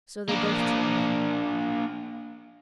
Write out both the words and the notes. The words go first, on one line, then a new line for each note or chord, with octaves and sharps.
So they both turned in.
A#3 D4